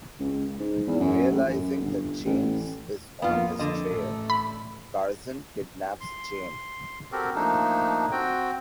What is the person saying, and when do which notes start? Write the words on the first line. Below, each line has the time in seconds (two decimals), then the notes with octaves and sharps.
Realizing that James is on his trail, Tarzan kidnaps Jane.
0.20 C#2
0.59 G#2
0.87 E2
1.00 F#2
1.30 A1
1.49 F#2
1.80 G1
2.25 A1
3.22 F2 A#3 B3 F4
3.59 F2 D3 D#5
3.89 A1 A3
4.30 B5
6.00 C6
7.12 C4 F#4 G4 A4 A#4
7.35 F3 A3 A#3 D4 D#4
8.11 C4 F#4 G5